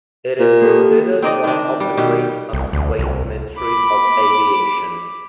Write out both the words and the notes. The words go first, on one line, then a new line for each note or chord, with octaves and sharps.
It is considered one of the great unexplained mysteries of aviation.
A#2
A#3 G4 A4
C4 D#4 D5 D#5
D#3 D4
G3
B2 D#3 G4
C2
D2
C2
B5 D6